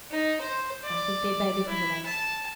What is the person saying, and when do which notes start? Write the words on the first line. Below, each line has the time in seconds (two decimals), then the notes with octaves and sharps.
I think they'd better be quick about it.'
0.11 D#4
0.40 C5
0.84 D5
1.68 E4
2.06 A5